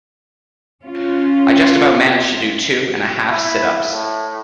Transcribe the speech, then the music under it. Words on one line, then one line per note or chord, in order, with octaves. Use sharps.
I just about managed to do two and a half sit-ups.
C#4 F4
E4
A2